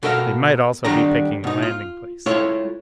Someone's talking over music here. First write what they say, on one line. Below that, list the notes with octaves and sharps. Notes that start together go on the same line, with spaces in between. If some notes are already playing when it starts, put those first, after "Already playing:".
They might also be picking a landing place.
B2 F#4 A4 A#4 D#5 F5
D3 D#3 G3 D4 F#5 A#5
B2 D#4
F4
G#3 A3 C#4 E4 F4 C#5